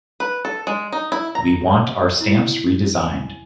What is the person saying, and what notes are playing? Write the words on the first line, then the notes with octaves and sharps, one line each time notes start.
We want our stamps redesigned.
B4
A4
G#3
D#4
E4
A#5
E4
G#5